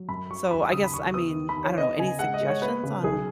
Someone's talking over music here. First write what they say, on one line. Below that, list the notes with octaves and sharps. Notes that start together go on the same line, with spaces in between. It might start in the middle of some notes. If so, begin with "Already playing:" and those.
So, I guess I mean, I don't know, any suggestions on
Already playing: F#3
F#2 B5
F#3 C#6
D#2 B5
C#3 D#6
B5
D#2 C#6
B3 D#6
D#3
B5
D#2
C#5
B3 D#5
C#3 G#5
G#3 F#5
D#5
G#3
C#5
B3 B4
C#3
B1 G#4